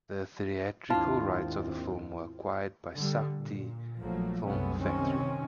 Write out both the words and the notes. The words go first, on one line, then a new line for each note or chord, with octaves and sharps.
The theatrical rights of the film were acquired by Sakthi Film Factory.
G#1 D#2 C4 D4 E4 F4 A5
D3 G3
A#2
A#1 F3 F#3 A3 A#3
F#1 C2 C3 A3 B3 C#4
C3 D#3 C4 C#4